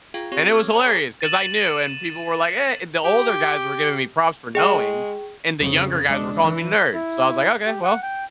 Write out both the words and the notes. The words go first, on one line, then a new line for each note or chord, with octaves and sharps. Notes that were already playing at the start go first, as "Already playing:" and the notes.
and it was hilarious 'cause I knew and people were like, "Eh" The older guys were giving me props for knowing and the younger guys were calling me, "Nerd," so I was like, "Okay, well"
F4 G#4 F5 G5 G#6
C4 G4 C#5 C#6
C#6 D6 E6 F6 G#6
C#5 G#5 A#5
G#4 D6 G#6 C7
A6 D#7 E7 F#7
G4
G#3 G#4 G5
F2 C#3
G#3 D4
E3
E4
G4
F#5
G5